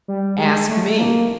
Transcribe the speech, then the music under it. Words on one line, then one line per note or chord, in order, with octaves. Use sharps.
"Ask me!"
G3
G#3
A3
A#3